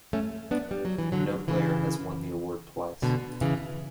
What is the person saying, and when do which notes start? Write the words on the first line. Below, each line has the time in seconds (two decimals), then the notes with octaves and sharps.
No player has won the award twice.
0.13 A3 C#4
0.51 B3 D4
0.71 G3
0.85 F#3
0.98 E3
1.12 D3 F#3
1.48 C#3 E3
3.02 B2 D3
3.41 C#3 E3